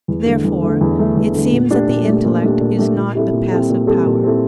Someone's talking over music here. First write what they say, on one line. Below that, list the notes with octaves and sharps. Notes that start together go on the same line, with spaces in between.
Therefore it seems that the intellect is not a passive power.
E2
D3 A3
E2
D3 A3
E2
D3 A3
E2
D3 A3
A#2
A3 D4 G4
A#2
A3 D4 G4
A#2
A3 D4 G4
A#2
A3 D4 G4
A#2
G3 C4 E4 A4
A#2
G3 C4 E4 A4
A#2
G3 C4 E4 A4
A#2
G3 C4 E4 A4